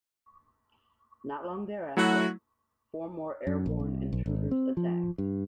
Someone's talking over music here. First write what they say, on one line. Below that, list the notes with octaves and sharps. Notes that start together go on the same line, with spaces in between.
Not long thereafter, four more airborne intruders attacked.
F#3 A3 E4 F#4
F#2
A#1
C2
B1
G#1
C4
F3
G2